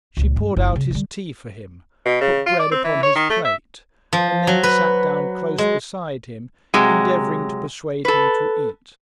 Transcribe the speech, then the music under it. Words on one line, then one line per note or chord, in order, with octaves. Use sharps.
She poured out his tea for him, put bread upon his plate, and then sat down close beside him, endeavouring to persuade him to eat.
C#2 A#2
G2
F#1 E4
C#3
D3 G3
B2
C#3
F4
D5
C4
E3
C#5
D#3
A3
E5
F3
F#3
B4
G#3
C3 F#3 G#3
A4 B4